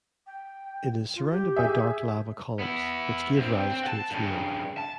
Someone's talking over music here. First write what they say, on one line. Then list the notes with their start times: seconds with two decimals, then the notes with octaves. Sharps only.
It is surrounded by dark lava columns, which gave rise to its name.
0.27 G5
1.16 F4
1.31 G4
1.56 G#4 E5
2.59 B3 E4
3.36 G2 C4
3.71 C4
3.84 F#5 A5
4.11 G2 C#3
4.78 A5